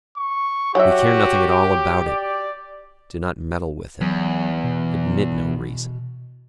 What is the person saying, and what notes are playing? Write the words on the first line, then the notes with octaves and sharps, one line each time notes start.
We care nothing at all about it, do not meddle with it, admit no reason.
C#6
F#3 F#4 G4 E5
D5
E2 F#3
B2